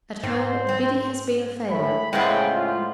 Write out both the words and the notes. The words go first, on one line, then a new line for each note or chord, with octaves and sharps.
'At home, Biddy has been a failure.
G#2 C4 C5
C4
A2 G#3 A3 B5
A2 C#3 G#3 B3 C4 G5
F4